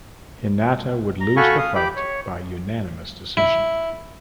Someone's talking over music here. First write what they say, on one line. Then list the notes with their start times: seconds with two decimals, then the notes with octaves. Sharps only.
Hinata would lose the fight by unanimous decision.
1.21 A#5
1.37 F#4 A4 F5 G#5 B5 C#6
1.58 F5 D#6
1.75 G4 B5 D6
1.96 C#5
3.37 E4